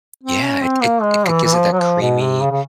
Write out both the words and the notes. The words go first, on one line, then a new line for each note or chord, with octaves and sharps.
Yeah, it it it it gives it that creamy,
C4
C#4
C4
A#3
G#3
E3
E3
F3
F#3
F3
B2
C3
C#3
C#3